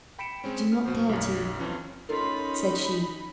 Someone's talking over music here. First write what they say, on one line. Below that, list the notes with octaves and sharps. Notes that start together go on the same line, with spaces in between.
"I do not dare to," said she.
G5 B5 B6 C#7 D7 E7
G#3 C4 C#4
F6
B2 F#3 C5
B1 F#2
F2 E3 C#4 F4
C#4 D#4 F4 A4 A#4 B5